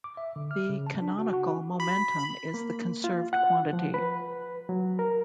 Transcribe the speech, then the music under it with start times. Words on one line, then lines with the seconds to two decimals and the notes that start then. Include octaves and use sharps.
The canonical momentum is the conserved quantity.
0.04 D6
0.17 E5
0.36 D3
0.51 F6
0.69 C#3
0.87 A5
1.02 D4
1.19 F#4
1.33 F#4
1.80 B5
2.54 A#3
3.04 F4
3.33 F#5
3.73 F3
3.94 B4
4.69 F#3
4.99 A#4